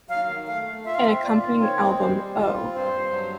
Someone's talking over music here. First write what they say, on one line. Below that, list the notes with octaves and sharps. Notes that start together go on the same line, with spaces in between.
An accompanying album, Oh!
F#3 F5
D#3
A3 F5
A3
F4 E5
F5
C4 E5
F4 D5
D#3
C4 C#5
G#3
G3 C5
G3
F4
C4
G2 C5
G2
F#3